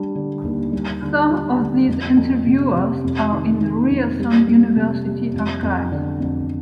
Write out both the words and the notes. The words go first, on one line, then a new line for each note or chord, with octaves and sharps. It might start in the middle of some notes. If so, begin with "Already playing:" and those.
Some of these interviews are in the Ryerson University archives.
Already playing: G3 D4
D3
D#2
G3
D3
G3
D3
F2
F2
C3
C3
F2
D#3
D#3
F2
G3
G3
C3
G3
F2
F2
D3
F2